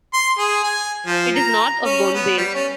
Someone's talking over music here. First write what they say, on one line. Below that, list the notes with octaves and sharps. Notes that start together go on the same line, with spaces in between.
It is north of Gonzales.
C6
G#4
G#5
F3
A#5
C#4
B3
G3
C#4